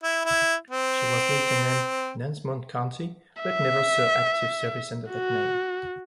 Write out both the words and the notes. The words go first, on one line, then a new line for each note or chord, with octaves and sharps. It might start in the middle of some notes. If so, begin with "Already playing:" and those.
She was later named "Nansemond County", but never saw active service under that name.
E4
E4
C4
E5
F#4